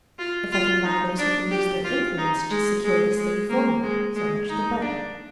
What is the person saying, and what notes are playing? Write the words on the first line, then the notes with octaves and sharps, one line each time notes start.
If I can buy those who can use their influence to secure this thing for me, so much the better.
F4
F4
D#4
D4
G4
F4
D#4
G#3
G#3
G#3
A#3
G#3
G#3
D#4
D4